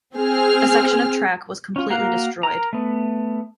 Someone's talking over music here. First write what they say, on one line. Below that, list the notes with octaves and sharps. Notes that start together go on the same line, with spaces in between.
A section of track was completely destroyed.
C4 G#4 F6
C#4 F4
A#3 F#4 A#4 F5 F#5
A#4 A#5
A3 B3